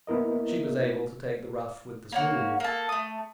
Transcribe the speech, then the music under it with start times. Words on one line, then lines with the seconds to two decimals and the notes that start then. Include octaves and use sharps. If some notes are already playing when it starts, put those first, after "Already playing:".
She was able to take the rough with the smooth.
0.07 A#3 B3 E4 A#4 D#5
2.12 A#3 C#4 F#4
2.60 A#3 A4
2.89 A3 D#6